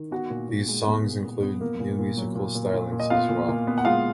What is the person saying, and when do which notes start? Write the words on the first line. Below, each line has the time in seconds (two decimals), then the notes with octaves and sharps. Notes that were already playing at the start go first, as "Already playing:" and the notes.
These songs include new musical stylings as well.
Already playing: D#3
0.11 B3 F#4 F#5
0.30 A#2
0.49 A#2
0.68 G#3
0.87 B3
1.06 A#2
1.24 B3
1.43 B3
1.61 A#3
1.80 A#2
1.99 A#2
2.17 F#3
2.35 A#2
2.55 A#2
2.74 A#2
2.92 A#2
3.00 D#5
3.10 B3 F4 F5
3.29 A#2
3.48 A#2
3.67 B3
3.78 F#5
3.85 G#3 F4 F5